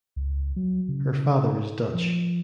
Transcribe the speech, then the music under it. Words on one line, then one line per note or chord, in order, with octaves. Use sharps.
Her father is Dutch.
C#2
F#3
C#3
F3